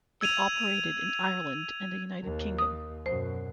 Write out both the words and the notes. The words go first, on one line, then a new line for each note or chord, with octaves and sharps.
It operated in Ireland and the United Kingdom.
E6 G#6 D#7 F7
D#2
D#6
F#2 B2 C5